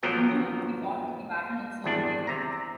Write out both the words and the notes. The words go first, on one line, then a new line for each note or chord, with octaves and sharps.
In June he fought in the Battle of Sole Bay.
A1 F3 F#3 B3 A#4 G5
G#1 E2 D4
C3 A#5